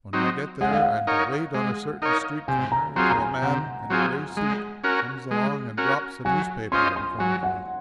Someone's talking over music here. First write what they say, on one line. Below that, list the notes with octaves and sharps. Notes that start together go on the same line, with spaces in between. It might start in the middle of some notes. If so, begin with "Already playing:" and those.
When I get there I'm to wait on a certain street corner till a man in a gray suit comes along and drops a newspaper in front of me.
F#3 C4 D#4
G#3 F#5
F5
F#5
D#4 A#4 C#5
G#3
D#4 A#4 C#5
C3 G#5
A#5
F#3 C4 F4 G#4 A#5
A#5
G#5
C3 F#5
F#3 C4 F4 G#4
G#3
C#4 F#4 A#4
G#3
C#4 F#4 A#4
F#3 G#5
C#4 F4 C5 D#5 C6
C6
F#3 G#5
F#5